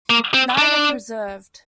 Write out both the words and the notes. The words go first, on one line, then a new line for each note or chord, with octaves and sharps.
Nine are preserved.
A#3
C4
D4